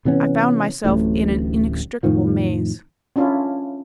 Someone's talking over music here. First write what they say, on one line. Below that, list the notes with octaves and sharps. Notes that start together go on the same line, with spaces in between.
I found myself in an inextricable maze.
C3 E3 B3 C#4
D1 A1 D2 A2
F2 A2 D#3 F3
C#4 D4 E4 F4